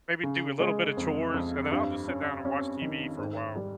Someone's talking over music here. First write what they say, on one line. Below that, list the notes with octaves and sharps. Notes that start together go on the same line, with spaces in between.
maybe do a little bit of chores, and then I'll just sit down and watch TV for a while.
C#3
G#3
F2
F2
G2
C#4
C#4
D#3
G#2
G3